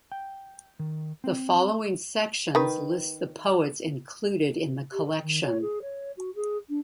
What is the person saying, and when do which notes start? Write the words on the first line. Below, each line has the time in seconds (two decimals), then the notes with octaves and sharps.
The following sections list the poets included in the collection.
0.12 G5
0.79 D#3
1.24 C4
2.55 D#3 B4
4.92 G4
5.06 A#4
5.22 D#3
5.44 C#5
5.61 G#4
5.82 C#5
6.17 F#4
6.35 G#4
6.69 D4